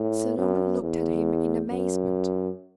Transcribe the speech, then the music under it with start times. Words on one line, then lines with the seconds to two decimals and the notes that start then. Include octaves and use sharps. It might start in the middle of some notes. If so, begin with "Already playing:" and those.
Sir Norman looked at him in amazement.
Already playing: A2
0.38 F#2
0.81 E2
1.70 F#2